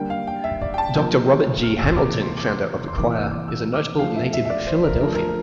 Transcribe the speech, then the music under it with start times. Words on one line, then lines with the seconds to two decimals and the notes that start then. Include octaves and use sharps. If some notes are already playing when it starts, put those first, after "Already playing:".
Doctor Robert G. Hamilton, founder of the choir, is a notable native Philadelphian.
Already playing: D3 G3 A#3 G5
0.10 F5
0.27 G5
0.44 E5
0.62 D5
0.74 G5
0.78 A5
0.95 C3 F3 A#3 G6
1.63 F6
1.79 E6
1.96 C3 E3 A#3 D6
2.22 C6
2.37 D6
2.47 C6
2.88 C6
2.98 C3 E3 A#3 D6
3.15 E6
3.32 D6
3.48 E6
3.73 D6
3.99 D3 F3 A3 F5
4.16 E5
4.33 E5
4.45 E5
4.50 D5
4.67 C5
4.84 A#4
5.01 D3 F3 A3 A#4
5.15 A#4